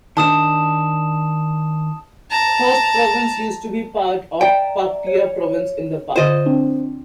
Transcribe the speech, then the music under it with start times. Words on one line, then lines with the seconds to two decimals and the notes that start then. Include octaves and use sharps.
Khost province used to be part of Paktia province in the past.
0.17 D#3 D4 A5 D#6 E7
2.30 A5 A#5
4.41 D5 E5 G5 A#5
5.07 C#5
6.16 D3 F4 C5 D#5
6.46 C4 D4